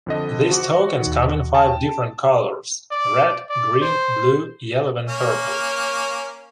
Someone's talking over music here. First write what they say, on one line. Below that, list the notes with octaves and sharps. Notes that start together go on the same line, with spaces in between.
These tokens come in five different colors: Red, Green, Blue, Yellow and Purple.
F2 D3 D#5
F#4 C5 F#5 D6
D#2 D#3
G5 A5
D5
D5
C5
A#3 C#4